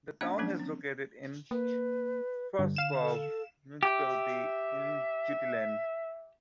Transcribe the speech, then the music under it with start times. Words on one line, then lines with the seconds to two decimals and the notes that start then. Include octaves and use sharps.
The town is located in Favrskov municipality in Jutland.
0.21 A#3 C#4 D4 D#5 F5
0.38 F3 F#3 A#3 C#4 D4
0.60 C4
1.51 A#3 B4
2.59 G2 D3
2.76 F5 E7
3.02 A4
3.83 G4 E5